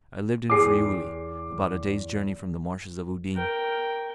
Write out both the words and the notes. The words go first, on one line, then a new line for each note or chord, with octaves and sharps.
I lived in Friuli, about a day's journey from the Marshes of Udine.
E2 G4 G#4 D6 C7
A#4 G5